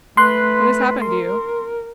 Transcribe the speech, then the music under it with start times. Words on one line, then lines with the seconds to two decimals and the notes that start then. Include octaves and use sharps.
What has happened to you?
0.17 A3 B4 C6 F#6
1.02 A#4 C6